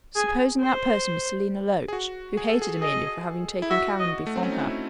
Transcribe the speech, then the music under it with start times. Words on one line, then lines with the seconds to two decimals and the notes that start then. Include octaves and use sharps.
Supposing that person was Selina Loach, who hated Emilia for having taken Caranby from her.
0.16 G#4
0.60 C5
1.88 G#4
1.93 F#4
2.37 G#4
2.49 A4
2.62 G#4
2.81 G#4 D#5
3.62 E4
3.70 F#4 E5
4.00 D#5
4.27 A3
4.36 C4
4.43 C#4
4.52 D#4
4.59 E4